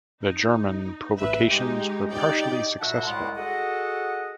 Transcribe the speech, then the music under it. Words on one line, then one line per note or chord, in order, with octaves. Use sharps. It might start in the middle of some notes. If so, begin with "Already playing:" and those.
The German provocations were partially successful.
D#4
A1 B4 E5
G#3 D#4 G4
D#4 G4 D5 G5
C2 A#2 F#4 E5 F#5 A5
C2 A2 G#3 D5 F#5 C6
F#4 G#4 A4 D#5 F#5